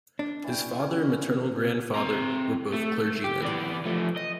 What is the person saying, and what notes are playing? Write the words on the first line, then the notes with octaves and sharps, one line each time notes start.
His father and maternal grandfather were both clergymen.
D4
E3 C#4 G5
C#4
C4 A#5
A3
G4
E3 D5
F3 A3
D#5